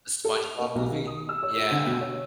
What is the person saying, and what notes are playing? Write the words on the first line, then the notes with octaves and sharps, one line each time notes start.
The SpongeBob movie? Yeah.
A4
F7
A#3
B1
D#3
D#6
E6
C#5
F4
D3
B2
C#5